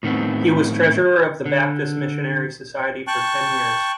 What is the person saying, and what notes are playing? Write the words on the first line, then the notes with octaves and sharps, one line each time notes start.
He was Treasurer of the Baptist Missionary Society for ten years.
A2 D#3 B3 C4
D3
G5 A5 C#6 F#6